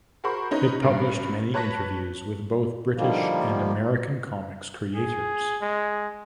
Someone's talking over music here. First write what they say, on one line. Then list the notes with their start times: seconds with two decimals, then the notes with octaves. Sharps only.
It published many interviews with both British and American comics creators.
0.24 F#4 G#4 A#4 C5 B5 C#6
0.51 C#4 D#4 B4 C#5
0.82 A1 G2 C#3 A#4 D7
1.54 B4 C#5 A5 F#6 A#6 B6
2.97 D3 D#3 F3 G3 A#3
4.95 G#4
5.62 G#3